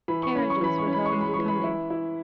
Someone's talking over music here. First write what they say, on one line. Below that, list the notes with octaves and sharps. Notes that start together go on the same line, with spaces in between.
Carriages were going and coming.
E3 B5
C#6
C#4 B5
C#6
E3 B5
C#6
C#4
B5
C#6
G#3
B5
E3 C#6
B5
E4
E4